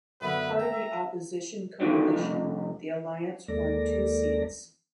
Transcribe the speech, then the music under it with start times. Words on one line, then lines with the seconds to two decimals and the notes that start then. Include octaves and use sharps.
Part of the opposition coalition, the Alliance won two seats.
0.21 F#2 D3 B3 B4 E5
0.60 G5 A#5
1.80 G2 B2 D3 D#3
2.13 C2 F2
3.48 D#2 G#3 A#3 A4 D5 A#6